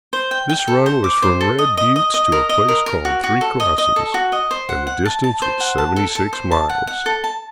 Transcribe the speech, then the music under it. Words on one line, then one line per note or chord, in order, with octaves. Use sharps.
This run was from Red Buttes to a place called Three Crossings, and the distance was seventy-six miles.
C5
G5
G5
A4
C5
D6
C5
A4
D#5
D#5
D#5
D#5
A#4
D#5
A#4
A#4
F#4
F#4
A4
D#5
D#5
A4
F#4
D#5
C5
F#5
F#5
A5
A5
C5
F#5
A5
A4
A4
C5
A5
F#5
F#5
A4
A5